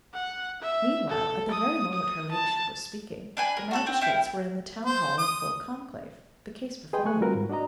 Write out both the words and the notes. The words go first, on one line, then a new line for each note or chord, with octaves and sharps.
Meanwhile, at the very moment her ladyship was speaking, the magistrates were in the town-hall in full conclave--the case before them.
F#5
E5
A4
D#6
D#6
A5
D4 B4 G#5
A#4
F#4 A4 F#6
C4
E4 F5 G5
C5
D#6
G#4 B4 D#5 G5 C6
A3 G#5 C#6 F#6
G3 C4 F4 F#4 A#4 B4
G#2
D4 F#4 D5 D#5 A#5